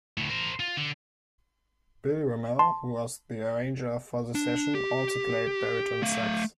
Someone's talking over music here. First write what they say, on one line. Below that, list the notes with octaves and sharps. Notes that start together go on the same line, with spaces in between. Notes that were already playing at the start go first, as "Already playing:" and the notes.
Bill Ramall, who was the arranger for the session, also played baritone sax.
D2 A2
A#4 C5
F4
D3
A5 C6
D4
G4
A3 F5